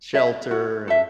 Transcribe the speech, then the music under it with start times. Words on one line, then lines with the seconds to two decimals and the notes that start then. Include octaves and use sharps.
shelter, and,
0.14 A4 E5
0.51 F#4
0.88 A4 E5